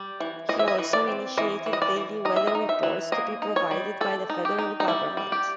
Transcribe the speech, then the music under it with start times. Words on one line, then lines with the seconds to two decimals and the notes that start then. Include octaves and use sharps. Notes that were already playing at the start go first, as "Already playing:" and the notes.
He also initiated daily weather reports to be provided by the federal government.
Already playing: G3
0.20 E3
0.49 E3 D#5
0.59 E5
0.68 D#5
0.78 E3
0.93 D5
1.08 C4
1.37 E3 D#5
1.66 E3
1.73 D#5
1.82 D5
1.96 E3
2.25 D#4 D#5
2.36 E5
2.47 D#5
2.55 D#4
2.69 E5
2.83 E3
3.12 A#3 D#5
3.42 D#4
3.56 C#5
3.71 G3
4.01 G3 A4
4.30 D#4
4.45 G4
4.59 D#4
4.80 D#4
4.88 G3 E4
5.17 G3
5.32 G4